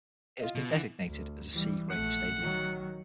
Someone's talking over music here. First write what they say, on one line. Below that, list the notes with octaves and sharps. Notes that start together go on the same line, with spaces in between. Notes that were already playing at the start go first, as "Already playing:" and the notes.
It has been designated as a 'C' Grade stadium.
F4 D#5
B2
D3 E3
D2
E3 G3
A#1 A3 F#5
D#3 F#3